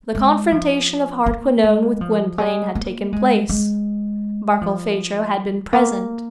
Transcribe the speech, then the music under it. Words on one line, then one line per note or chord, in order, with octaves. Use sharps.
The confrontation of Hardquanonne with Gwynplaine had taken place. Barkilphedro had been present.
G#3
F3
A#3
G#3
F3
G#3
A#3
G#3
G#3
F3
A#3